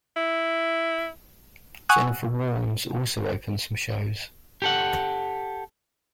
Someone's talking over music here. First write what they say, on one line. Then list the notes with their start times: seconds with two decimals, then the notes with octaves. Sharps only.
Jennifer Warnes also opened some shows.
0.16 E4
1.89 F#5 G#5 C#6 D#6 E6 F#6
4.62 G4 A4 F#5